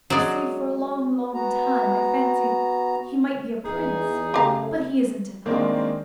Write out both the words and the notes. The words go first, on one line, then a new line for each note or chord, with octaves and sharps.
You see, for a long, long time, I fancied he might be a prince, but he isn't at all.
F#3 G#3 D5
B3 F#4 A#5
E2 D#4 G#4
F#2 C#3 A3 G4 F5 A#5
D#3 G#3 A#3 C4 D4